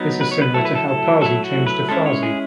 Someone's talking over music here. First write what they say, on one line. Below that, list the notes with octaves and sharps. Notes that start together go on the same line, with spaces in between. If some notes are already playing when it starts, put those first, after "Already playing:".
This is similar to how Parsi changed to Farsi.
Already playing: F#3 B3 D#4
B4
C#5
B4
F#3 A3 E4 A4
B4
A4
A4
F#3 A3 E4 A4
F#4
B4
G#3 C#4 E4 A4
C#5
G#4